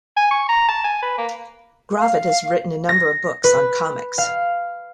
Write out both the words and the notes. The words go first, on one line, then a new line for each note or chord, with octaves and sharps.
Gravett has written a number of books on comics.
G#5
C#6
A#5
A5
G#5
B4
A#3
F5
A#6
B4
F5